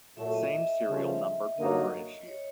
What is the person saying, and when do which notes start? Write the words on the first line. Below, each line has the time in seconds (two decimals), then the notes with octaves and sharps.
Same-serial numbered folder issue.
0.16 A#2 F#3 A3 E5
0.34 D#5
0.52 E5
0.69 E5
0.86 C#3 F3 A3
1.57 G2 D3 F#3 A#3 D#4 D#5
2.27 C#5